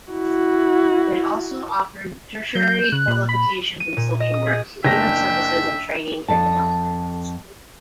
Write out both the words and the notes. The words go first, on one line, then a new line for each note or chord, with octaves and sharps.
It also offered tertiary qualifications in social work, human services and training and development.
E4 F#4
F#3 G6
C#3 F#6
A#2
B5
D#7
A#2
D#5
D#6
G#4
F#1 D4 E5 G5 A#6
F2 A4 A5